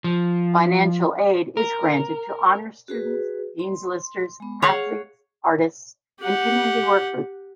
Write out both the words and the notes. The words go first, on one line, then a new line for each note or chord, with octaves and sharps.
Financial aid is granted to honor students, dean's listers, athletes, artists, and community workers.
F3
A#4
F#4 G#4 B4
C6
G#3 B3
G#4 C#5 F5 F#5
G4 F#5